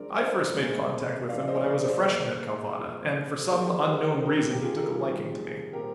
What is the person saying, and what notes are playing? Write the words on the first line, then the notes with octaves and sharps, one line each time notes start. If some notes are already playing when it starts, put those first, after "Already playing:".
I first made contact with him when I was a freshman at Calvada, and for some unknown reason he took a liking to me.
Already playing: D3 F3 G#3 C4 A#4 D5
C5 D#5
A#2 G#3 C4
D3 F3 A#3 D5 F5
D5
C5 D#5
A#4 D5
G#4 C5
A#2 G3 A#3
A#2 F3 C4
D#3 A#3 G#4 C5
G4
G#4
G4 A#4
D#3 A#3 G4 A#4
G4
F4 G#4
D#3 G3 C4
A#2 G3 C4 G4 A#4